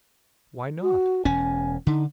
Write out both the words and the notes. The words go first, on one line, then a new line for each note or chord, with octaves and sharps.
Why not?
F#4
E1 C#4 G#5
D3 D#4